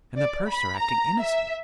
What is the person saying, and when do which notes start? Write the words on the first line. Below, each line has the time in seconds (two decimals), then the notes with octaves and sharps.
And the purser acting innocent?
0.17 D5
0.47 B5
0.77 A#5
1.20 E5